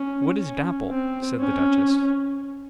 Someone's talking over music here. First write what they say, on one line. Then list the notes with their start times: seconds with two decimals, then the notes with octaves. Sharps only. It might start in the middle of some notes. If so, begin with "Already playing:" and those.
"What is Dapple?" said the duchess.
Already playing: C#4
0.39 C#4
0.91 C4
1.40 C#4